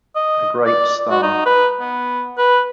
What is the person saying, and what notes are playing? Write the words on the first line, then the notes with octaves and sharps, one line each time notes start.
A great star.
D#5
D5
F#4
D#4
B4
B3
B4